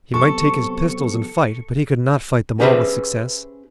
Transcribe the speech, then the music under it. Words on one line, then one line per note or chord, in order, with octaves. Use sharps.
He might take his pistols and fight, but he could not fight them all with success.
C3 F#3 B3 G4 A4 C#6
C#4 G4 G#4 B4 C5 E5